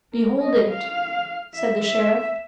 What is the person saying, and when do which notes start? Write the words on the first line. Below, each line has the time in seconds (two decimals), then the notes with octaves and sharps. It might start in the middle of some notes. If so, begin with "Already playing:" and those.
"Behold it," said the sheriff.
0.13 A#4
0.41 D#5
0.69 F5
1.54 E5
1.82 E5